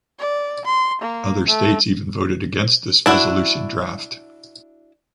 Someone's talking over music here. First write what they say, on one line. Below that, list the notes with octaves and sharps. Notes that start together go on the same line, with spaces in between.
Other states even voted against this resolution draft.
D5
C6
A#3
A3
D4 E4 F#4